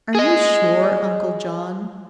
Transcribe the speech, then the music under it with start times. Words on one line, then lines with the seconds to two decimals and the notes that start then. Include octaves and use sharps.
"Are you sure, Uncle John?"
0.15 G#4 D#5